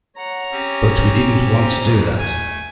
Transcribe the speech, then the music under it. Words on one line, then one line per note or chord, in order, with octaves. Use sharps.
But we didn't want to do that.
C#5 F#5 A#5
C4 C#4 G4
C5 A#5
D2 B2 E3
A3 G#5